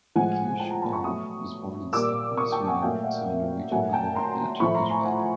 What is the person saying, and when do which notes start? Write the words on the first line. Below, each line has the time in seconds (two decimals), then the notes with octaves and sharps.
Kirsebom was born in Stockholm, Sweden, to a Norwegian mother and a Turkish father.
0.15 A2 F3 G#3 F#5 G#5
0.60 G5 A5
0.70 G#5 A#5
0.82 A5 B5
0.93 B5 C#6
1.04 B2 F#3 A3 C#6 D#6
1.93 A#2 G3 D6 E6
2.37 C#6 D#6
2.52 G5 A5
2.67 F#5 G#5
2.82 A#2 F#3 A3 F5 G5
3.04 E5 F#5
3.71 A#2 F#3 A3 F#5 G#5
3.93 G5 A5
4.15 A#5 C6
4.60 A2 F3 A3 B5 C#6
4.74 A#5 C6
4.90 G#5 A#5
5.04 F#5 G#5